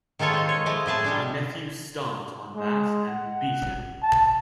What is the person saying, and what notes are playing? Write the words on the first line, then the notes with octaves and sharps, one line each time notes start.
A nephew stomped on that and beat him.
D#3 G#3 F4 A4 C#5
C5 D#5
C#5
F3 G#3 E4 D#5
A2 E4 G#4 A5
G3 G#3 D4
G#3
F#5
A5